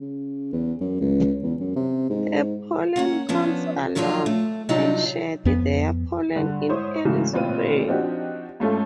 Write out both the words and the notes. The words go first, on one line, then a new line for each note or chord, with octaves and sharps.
The pollen cones are long, and shed their pollen in early spring.
C#3
E2
F#2
C#2
E2
F#2
C3
G#2
A#3 C#4 F#5
F3 B3 C#4 D4
A#2 F3 F#3 D4 D#4 F4
A3
C3 F#3 G3 D4 D#4 F4
F2 B3
G2 D3
G#2 E4 C5 C#5 D#6
G#2 C#3 E3 F#3 A3
A1 A#2 C4 F4 B4 D#7
F3 C4 D4 D#4 F#4 G4
G#2 A3 C#4 F4 A4